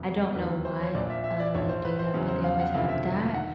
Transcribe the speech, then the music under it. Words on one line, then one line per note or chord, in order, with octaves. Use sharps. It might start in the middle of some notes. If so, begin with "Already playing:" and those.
I don't know why, uh, they do that, but they always have that
Already playing: F1 E2 C3 F3
D#2 D#3 F#3 B4
C5
C#5
A#1 A#2 F3 D5
E5
E5
D5
A#1 G#2 F3 C#5
C5
B4
C5
E2 C#3 F#3
C5
F5
F#5
E1 D2 C3 F3 F5
E5
D#3 F#5